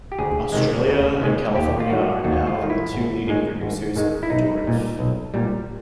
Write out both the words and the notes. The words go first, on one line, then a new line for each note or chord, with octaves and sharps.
Australia and California are now the two leading producers of Durif.
G4
D2 G#4
C3 D#3 G#3
D2
C3 D#3 G#3
D#2 G4
F4
D#3 G3 F#4
D#2 F#4
F4
D#3 G3
E4
G#1
G#2 D#3 G#3
G#1
G#2 D#3 G#3
E4
B1 D#4
A#2 G3
B1
A#2 G3